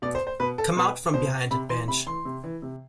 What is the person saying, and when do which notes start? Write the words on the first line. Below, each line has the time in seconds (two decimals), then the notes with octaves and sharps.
Come out from behind that bench.
0.02 B2 D5
0.15 C5
0.27 C5
0.40 B2 B4
0.58 A4
0.76 B2 B4
1.14 B2 C5
1.51 C3 B5
1.69 E3 C6
1.88 C3 B5
2.06 E3 C6
2.25 C3
2.44 E3
2.62 C3